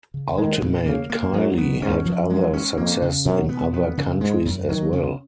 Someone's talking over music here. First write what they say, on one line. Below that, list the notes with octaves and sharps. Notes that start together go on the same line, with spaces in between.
"Ultimate Kylie" had other success in other countries as well.
C#3
D#3 G#3
A#2
C#3 A#3
A#3
F#2 F#3
B3
G#2 C#4
F3
F#2 G#3
C#4
F2 A#3
C#3
F#2 B2
B3
F2 B3
C#3
G#2 G#3
F#2
D#3 F#3
C#3